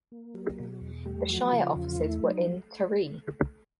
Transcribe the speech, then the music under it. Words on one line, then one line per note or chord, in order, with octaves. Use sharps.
The shire offices were in Taree.
A#3
F#3
B2
E2
G3 A3 G4
F3 F#3 F#4
C#3 F3 F4
E2
A3 E4
F#3 D#4